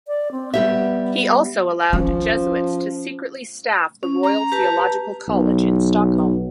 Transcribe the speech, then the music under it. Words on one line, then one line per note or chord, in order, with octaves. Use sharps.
He also allowed Jesuits to secretly staff the Royal Theological College in Stockholm.
D5
C4
G3 B3 G4 E5
F3 C#4
C#4
A#5
G4 B4 A5
B1